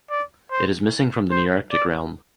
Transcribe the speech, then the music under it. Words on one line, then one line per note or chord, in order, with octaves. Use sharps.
It is missing from the Nearctic realm.
D5
C5
C5
D5